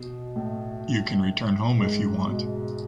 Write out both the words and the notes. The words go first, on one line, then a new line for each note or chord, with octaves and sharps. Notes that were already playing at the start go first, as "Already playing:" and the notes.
You can return home If you want.
Already playing: B2
A2
G#2
B2